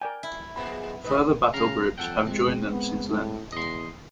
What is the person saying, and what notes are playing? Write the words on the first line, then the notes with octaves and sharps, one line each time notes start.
Further battlegroups have joined them since then.
A#4 D5 G5 G#5
E4
B1 A2 G#3 B3 C4 B5
G#2 D#3 B4 D#5
C#3 F5 A#5
F2 A4 F#5 G5
G#3 C4
B3
A2
E2 D#5 C6